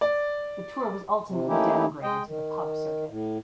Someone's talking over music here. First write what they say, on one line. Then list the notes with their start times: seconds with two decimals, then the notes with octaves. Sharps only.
The tour was ultimately downgraded to the pub circuit.
0.01 D5
1.27 C3
1.48 A3 A#3 C#4 D#4 E4 G4
2.03 G#3 D#5 G5
2.28 D#3
3.08 A2